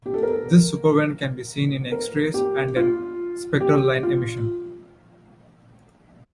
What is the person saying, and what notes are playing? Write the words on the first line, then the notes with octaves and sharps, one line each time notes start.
This superwind can be seen in X-rays and in spectral line emission.
G4
A4
A#4
A#4
G4
F4
G4
F4